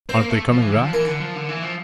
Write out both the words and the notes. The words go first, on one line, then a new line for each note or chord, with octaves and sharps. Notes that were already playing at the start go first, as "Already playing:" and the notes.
"Aren't they coming back?"
C4 C5
A#3
A3
F3
E3
D3
F3
E3 A#4
D3
F3
D3
E3
F3